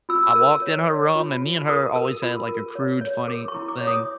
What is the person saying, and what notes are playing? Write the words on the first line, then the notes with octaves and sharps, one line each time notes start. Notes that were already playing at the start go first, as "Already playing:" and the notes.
I walked in her room and me and her always had, like, a crude, funny thing
F4 E6
A#4 E6
C#5
C#5
F4
F4
A#4 D#6
A#4
F4
A#4
C#5
C#5
A#4 D6
C#6
E4
D6
C#5
D#6